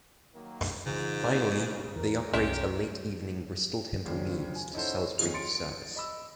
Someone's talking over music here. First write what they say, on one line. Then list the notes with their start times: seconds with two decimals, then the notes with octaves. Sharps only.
Finally, they operate a late evening Bristol Temple Meads to Salisbury service.
0.35 D#3 F#3 A#3
0.86 G#2 C#3 E3 F4
1.24 A#3 B3
1.66 C#3
1.95 E2 E3 A#4
2.33 C2 F#2 C#4 G4 C5 E5
4.05 D#2 A#2 C#3 F3 D4
4.55 G#5
4.73 C#4 D#4 E4 F#4 A4 C5
5.18 D#2 C#4 D#4 F4 G#4 F7
5.34 C6 A6 C#7 D7
5.96 D#5 B5 E6